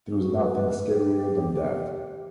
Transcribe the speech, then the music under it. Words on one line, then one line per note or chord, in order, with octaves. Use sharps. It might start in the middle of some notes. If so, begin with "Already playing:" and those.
There is nothing scarier than that.
F#4
B4
B4
G4